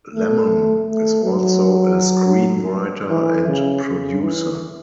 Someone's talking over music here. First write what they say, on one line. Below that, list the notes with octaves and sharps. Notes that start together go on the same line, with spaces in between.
Lemmon is also a screenwriter and producer.
A3
A3
F#3
E3
C#3
C#3
E3